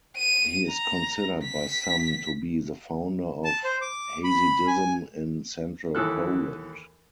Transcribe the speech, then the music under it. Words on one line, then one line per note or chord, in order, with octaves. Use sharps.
He is considered by some to be the founder of Hasidism in central Poland.
D#7
A#5
B6
A5
C5
D6
B5
G#5
D#2 E3 A4 F#6